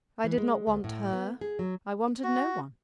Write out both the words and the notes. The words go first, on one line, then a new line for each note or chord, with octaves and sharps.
I did not want her; I wanted no one.
E3
G#3
D2
A2
B3
G#4
F#3
F#4